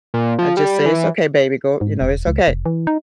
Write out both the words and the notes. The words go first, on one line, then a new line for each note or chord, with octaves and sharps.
I just say, "it's okay, baby, go you know, it's okay.
A#2
F3
G3
E3
G#2
E1
C#2
F1
E3
D#4